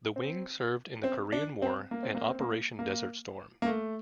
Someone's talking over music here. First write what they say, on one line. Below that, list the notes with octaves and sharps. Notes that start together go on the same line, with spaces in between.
The wing served in the Korean War and Operation Desert Storm.
C4
C4
D4
C4
A#3
C4
A#3
C4
A#3
A#3
A#3
A3